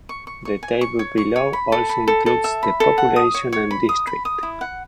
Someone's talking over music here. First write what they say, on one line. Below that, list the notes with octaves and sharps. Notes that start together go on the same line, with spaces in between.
The table below also includes the population and district.
C#6
C#6
C#6
G#5
C#6
C#5
C#6
C#5
B5
A4
B5
A4
A4
E5
B5
A4
F#5
D#6
C#5
C#5
B5
D#6
B5
D#6
E4
F#5